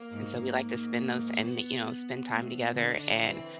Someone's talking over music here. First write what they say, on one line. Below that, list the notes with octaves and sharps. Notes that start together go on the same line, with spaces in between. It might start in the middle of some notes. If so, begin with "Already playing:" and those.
and so we like to spend those in, you know, spend time together and
Already playing: A#3
G#2
G#2
B3
A2
D3
D#4
D4
C#4
E3 C4